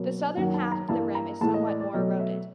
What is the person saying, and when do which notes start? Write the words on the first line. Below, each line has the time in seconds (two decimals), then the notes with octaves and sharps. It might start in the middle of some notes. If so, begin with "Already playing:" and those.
The southern half of the rim is somewhat more eroded.
Already playing: B2 F#3 A#3
0.37 F#2 D#3 F#3 A#3 F#5
0.54 A5
0.72 A#5
0.89 G2 E3 G3 A#3 A5
1.15 A#5
1.41 A2 E3 G#3 A5
1.54 D#5
1.67 D5
1.80 D5
1.93 B2 F#3 A3 D#5
2.19 E5